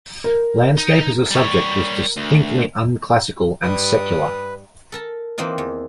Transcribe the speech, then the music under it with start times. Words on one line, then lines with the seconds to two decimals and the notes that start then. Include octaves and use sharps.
Landscape as a subject was distinctly unclassical and secular.
0.24 A#4
0.78 D#4
1.31 G3 C#5
2.17 D2
3.62 G2 G3 B4 D#6
4.92 A4 A#4 A5
5.38 E3 A#3 C4 D#4 F4
5.58 E2